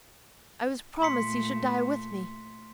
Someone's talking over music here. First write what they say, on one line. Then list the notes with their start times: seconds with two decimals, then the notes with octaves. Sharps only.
I was promised he should die with me.
1.02 A#2 A3 C6 B6 C#7